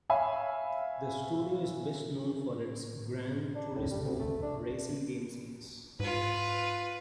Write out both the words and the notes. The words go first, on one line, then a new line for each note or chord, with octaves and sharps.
The studio is best known for its "Gran Turismo" racing game series.
C#5 E5 F5 G#5 B5
D4
A2
G3
D2
A3
D4
G#2 F4 B4